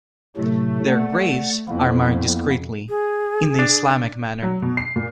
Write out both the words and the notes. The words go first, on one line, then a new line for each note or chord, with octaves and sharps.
Their graves are marked discreetly, in the Islamic manner.
A2 C3 F#3 A3
D5 F#5
F2 A#3 B3 E4
G#4
D4
F#3
B2
C7
A#2